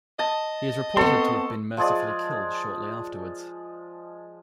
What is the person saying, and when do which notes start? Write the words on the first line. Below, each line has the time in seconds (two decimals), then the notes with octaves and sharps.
He is reported to have been mercifully killed shortly afterwards.
0.19 D#5 A5
0.97 B3 C4 A4 C6 C#6
1.77 F3 G#3 G#4 D5